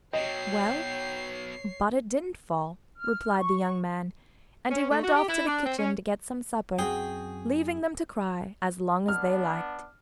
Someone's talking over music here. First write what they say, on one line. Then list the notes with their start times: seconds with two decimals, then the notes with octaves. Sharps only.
'Well, but it didn't fall,' replied the young man, and he went off to the kitchen to get some supper, leaving them to cry as long as they liked.
0.13 B2 F#3 C#5 D#5 G5 C7
2.97 F6
3.38 C#6
4.71 C#4
4.90 A3
5.03 F#4
5.16 G4
5.29 E4
5.47 D4
5.65 C4
5.79 C#4
6.79 F#2 C4 F#4 G#4 G5
9.08 B3 D4 F6